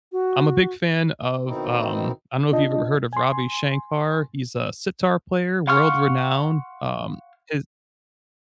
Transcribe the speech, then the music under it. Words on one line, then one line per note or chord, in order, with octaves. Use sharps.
I'm a big fan of, um I don't know if you've ever heard of Ravi Shankar. He's a sitar player, world-renowned, um, his
F#4
B2 D#3 C4 D#4 E4
D4 F4 D#5 A5
G#5 C6
F5 F#5 C6 C#6 F6